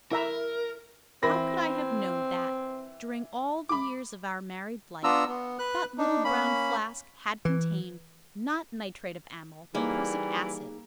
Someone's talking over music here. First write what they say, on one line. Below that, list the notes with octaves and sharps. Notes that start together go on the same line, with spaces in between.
How could I have known that, during all the years of our married life, that little brown flask had contained, not nitrate of amyl, but prussic acid?
E4 A#4 E5 A#5
E3 C4 B5 A#6
B5 D6
B3 D4 F4 A#5 E6
B3
B4 F#6
D4 D#4
A#3 C#4 B5
E3
E3 G3 A#3 D#4 G#4 D6